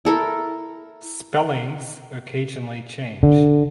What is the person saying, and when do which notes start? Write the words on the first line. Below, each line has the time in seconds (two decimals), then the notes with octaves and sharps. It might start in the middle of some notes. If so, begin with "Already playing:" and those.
Spellings occasionally change.
0.05 E4 A4 A#4
3.23 D3